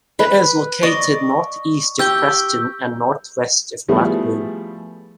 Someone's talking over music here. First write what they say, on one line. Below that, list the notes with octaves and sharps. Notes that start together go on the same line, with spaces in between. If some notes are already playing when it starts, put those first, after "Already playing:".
It is located north-east of Preston and north-west of Blackburn.
B4
D5 D#5 C#6
G4 E6 G6 G7
F3 G3 A3 B3 E4 G#4